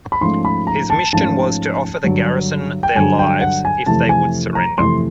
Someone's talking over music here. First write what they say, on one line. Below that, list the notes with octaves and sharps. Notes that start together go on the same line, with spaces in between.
His mission was to offer the garrison their lives if they would surrender.
B5
G#2 F3 A3 C#4 C6
B5
A#5
A5
G#2 F3 A3 C#4 A5
G2 D3 F#3
G5
G2 D3 F#3 G#5
G5
F#5
G#5
F2 C3 E3 A3 A5
G#5
A#5
F2 C3 E3 A3 C6